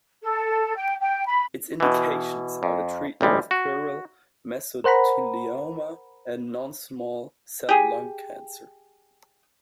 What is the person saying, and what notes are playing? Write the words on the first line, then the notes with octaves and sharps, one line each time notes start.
Its indications are the treatment of pleural mesothelioma and non-small cell lung cancer.
A4
G5
G5
B5
B2 E3
F2
A1 D2 G3 G#3
F#4
A#4 C5 F#5 A#5 B5
G4 G#4